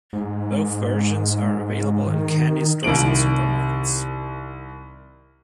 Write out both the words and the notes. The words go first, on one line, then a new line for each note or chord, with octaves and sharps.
Both versions are available in candy stores and supermarkets.
G#2
D#3
C2 D#3 D7 F#7